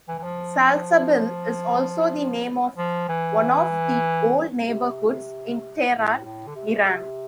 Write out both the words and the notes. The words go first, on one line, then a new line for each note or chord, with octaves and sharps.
Salsabil is also the name of one of the old neighborhoods in Tehran, Iran.
E3
E3
F3
F3
E3
C3
A2
A2
D3
C3